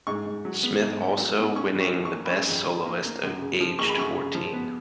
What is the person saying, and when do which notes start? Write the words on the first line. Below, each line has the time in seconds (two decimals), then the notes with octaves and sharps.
Smith also winning the Best Soloist, aged fourteen.
0.07 G#2 C#6
0.26 G#2
0.45 F#3
0.63 B3
0.82 G#2
1.00 G#2
1.18 F#3
1.38 B3
1.55 C#4 C#6
1.75 F2
1.80 C#6
1.93 F3
2.05 C#6
2.12 A#3
2.25 B5
2.30 C#4 C#6
2.49 F2
2.67 F3
2.86 A#3
3.05 A#3
3.24 F#2
3.41 C#3
3.60 F3
3.79 A#3 C#6
3.89 B5
3.98 F#2 C#6
4.16 C#3
4.35 F3
4.53 B3